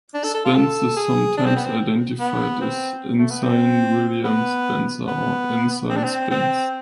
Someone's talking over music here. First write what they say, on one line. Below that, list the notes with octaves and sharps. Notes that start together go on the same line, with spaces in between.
Spence is sometimes identified as Ensign William Spence or Ensign Spence.
D4
A4
A4
F4
A4
G#4
D4
C4
B3
C4
B3
C4
A3
B3
C4
B3
B3
C4
D4
C4
C4